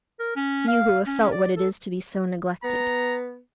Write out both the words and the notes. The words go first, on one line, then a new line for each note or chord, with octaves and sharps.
You who have felt what it is to be so neglected!
A#4
C#4
F5
C#4
D5
A4
B3 A#5